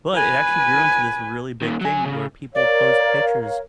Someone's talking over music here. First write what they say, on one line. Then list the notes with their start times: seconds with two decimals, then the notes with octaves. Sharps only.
but, it actually grew into this really big thing where people post pictures
0.15 B4 G#5
1.62 A#2 D#3
1.81 F#3 G#5
2.05 C#3
2.55 A#4 C#5 D5 F5